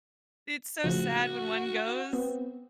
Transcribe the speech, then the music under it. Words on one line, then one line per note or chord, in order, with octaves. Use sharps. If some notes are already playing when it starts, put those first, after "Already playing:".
It's so sad when one goes,
A2 C#3 F3 F#4
B3 C4